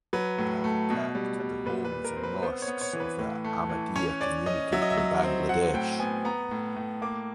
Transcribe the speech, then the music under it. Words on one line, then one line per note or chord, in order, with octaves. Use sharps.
They have attacked the homes and mosques of the Ahmadiyya community in Bangladesh.
F#3 B4
A2
A3
B2
G3
G3
A#2 B4
B4
A#2
A#4
C4
B4
B3 C5
C#5
B3
C#5
E3
B4
A2
A3
E3
C#4 C#5
C#4 D5
C#4 D#5
F#3 E5
D#5
E5
F#3
C4
F#3 F#5
A2 G5
B3 G#5
B3 A#5
A2
A2
A#3 D6